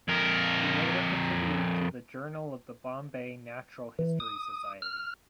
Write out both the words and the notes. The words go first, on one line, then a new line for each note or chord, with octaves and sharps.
He later contributed to the "Journal of the Bombay Natural History Society".
F2 A#4
E3
D#6
F6